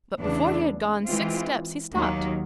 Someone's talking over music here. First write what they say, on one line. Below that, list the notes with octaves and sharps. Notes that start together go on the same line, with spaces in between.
But before he had gone six steps he stopped.
E2 C#3 E3 A3 D4
E3 G#3 C4 F4
D#2 D#3 F#3 A#3